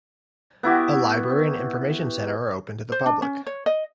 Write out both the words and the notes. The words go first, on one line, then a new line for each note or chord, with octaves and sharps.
A library and information centre are open to the public.
B3 E4 F#4 G4
C5
D4
C#4
C#5
D#5